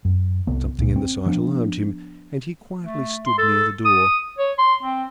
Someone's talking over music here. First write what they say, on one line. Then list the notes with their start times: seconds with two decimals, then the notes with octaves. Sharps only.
Something in the sight alarmed him, and he quietly stood near the door.
0.05 F#2
0.47 C2 B3
0.78 C#2 A#2
0.96 C4
1.26 F3 B3 D4
2.83 A3
3.27 C6
3.38 A4
3.85 D#6
4.39 C#5
4.59 C6
4.83 C4